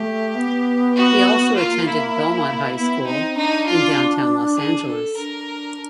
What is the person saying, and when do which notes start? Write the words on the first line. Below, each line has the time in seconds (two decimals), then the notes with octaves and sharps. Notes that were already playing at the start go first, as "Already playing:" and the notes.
He also attended Belmont High School in Downtown Los Angeles.
Already playing: A3 G4
0.35 B3
0.96 F#4
1.56 A#3 F4
1.86 E4
2.76 B3 E4
2.96 C4
3.06 D#4
3.16 C4
3.36 D4 D#4
3.66 F4
4.57 G#4
4.87 A4
5.16 D4 A#4